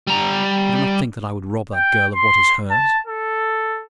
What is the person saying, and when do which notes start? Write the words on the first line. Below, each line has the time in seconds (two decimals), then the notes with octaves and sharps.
You do not think that I would rob that girl of what is hers.
0.07 G3 A#5
1.75 G5
2.15 C6
2.70 A5
3.07 A4